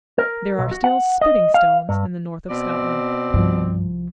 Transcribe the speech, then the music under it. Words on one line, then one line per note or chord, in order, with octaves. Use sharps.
There are still "spitting stones" in the north of Scotland.
A#4
B1
F#4
F#5
D#5
F5
G2
B2 C4 D5
C2 G2 F3